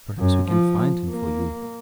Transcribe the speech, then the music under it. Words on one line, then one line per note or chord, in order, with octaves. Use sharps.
Perhaps we can find him for you.
F#2
F3
A#3